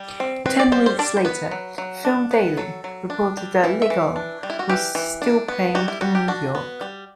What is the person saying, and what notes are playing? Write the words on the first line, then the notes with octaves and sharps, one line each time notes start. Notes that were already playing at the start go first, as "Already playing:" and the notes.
Ten weeks later "Film Daily" reported that "Legong" was still playing in New York.
Already playing: G3
C4
C4 B4
D5
G3 C5
C5
D4 D5
C5
B3 B4
F#3
F#3
D4
B3
F#3 A4
F#3
D4
G3
E3 E5
E5
E3
D4
G3
E4
F#4
E3 G4
E3
D4
B3
G3 F#4
E4
G3 F#4
G4
D4 F#4
B3
G3